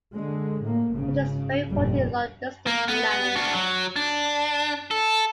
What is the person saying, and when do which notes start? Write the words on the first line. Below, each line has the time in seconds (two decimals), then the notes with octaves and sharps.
Wind is very important in long-distant smelling.
0.13 D3 G#3
0.62 A2 A#3
0.92 G#1 C#3
1.67 G1 F2 A#2 G3
2.67 A#3
2.88 B3
3.36 D4 F#4
3.53 F#3
3.96 D4
4.91 A4